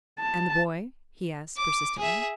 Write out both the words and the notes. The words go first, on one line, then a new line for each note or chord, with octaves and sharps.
"And the boy?" he asked, persistently.
A5
D6
G#4 E5